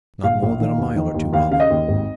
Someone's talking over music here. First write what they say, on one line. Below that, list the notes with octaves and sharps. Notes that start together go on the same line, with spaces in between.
"Not more than a mile or two off."
A#1 F5
A#1
D#3
D#2
D#3
D#2
D#2 F5
C#3 F5
D#5
D#2
G#1